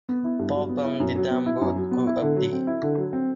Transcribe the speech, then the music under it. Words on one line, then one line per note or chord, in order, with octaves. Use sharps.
Pulpen ditambut ku abdi.
B3
E4
G2
F#3
B3
E4
F#2
F#3
B3
E4
F#2
F#3
B3
E4
D3
F#3
C4
E4
D3
F#3
C4